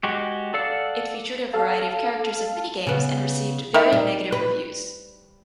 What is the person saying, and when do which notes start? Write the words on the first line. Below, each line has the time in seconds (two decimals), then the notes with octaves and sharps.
It featured a variety of characters in mini-games and received very negative reviews.
0.03 G#3 F#4 G4
0.54 A4 D5 F5 F#5 E6
1.53 A4 F5 A5
2.87 C#3 B3
3.74 D#3 D#4 E4
3.92 G3
4.32 B4